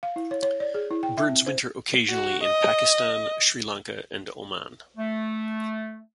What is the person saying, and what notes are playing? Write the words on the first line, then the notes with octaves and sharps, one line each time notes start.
Birds winter occasionally in Pakistan, Sri Lanka and Oman.
F5
E4
C#5
C#5
D5
G#4
E4
G5
E5
C4
C5
F#4
D#5
A3